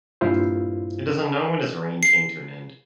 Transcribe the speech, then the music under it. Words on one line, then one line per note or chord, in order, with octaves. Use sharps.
It is unknown when his reign came to an end.
G2 A#2 E4 F4 C5
C7